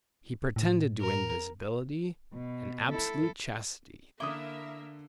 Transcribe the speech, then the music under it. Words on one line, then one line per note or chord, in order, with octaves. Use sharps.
He pretended to invisibility and absolute chastity.
A2
A#4
B2
E4 A4
D3 A#3 E4 A#4 E5 D6 D#6 G7